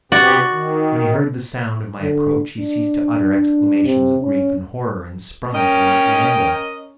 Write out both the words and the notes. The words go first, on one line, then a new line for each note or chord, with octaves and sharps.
When he heard the sound of my approach, he ceased to utter exclamations of grief and horror and sprung towards the window.
C3 B3 F#4 G4 D5
D#3
D3
D4
C3
C#4
C#4 A#4 D#5 G5